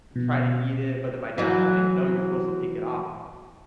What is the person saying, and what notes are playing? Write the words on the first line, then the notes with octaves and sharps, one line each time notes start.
trying to eat it, but then my dad told me, "No, you're supposed to take it off."
B2
E3 F#3